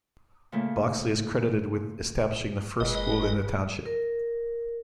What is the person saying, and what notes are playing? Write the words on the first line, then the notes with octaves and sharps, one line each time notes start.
Boxley is credited with establishing the first school in the township.
A#2 C#3 A3
F#1 G#3 B4 D#5
A#4